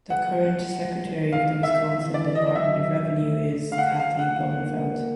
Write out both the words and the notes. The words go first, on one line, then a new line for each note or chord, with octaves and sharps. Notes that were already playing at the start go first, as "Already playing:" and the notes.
The current Secretary of the Wisconsin Department of Revenue is Kathy Blumenfeld.
F#3 F#5
F#3
E3 F5
D#3 E5
E3
D5
D#5
D#5
F#3 E5
A3
F5
F#5
F5
F#5
A#3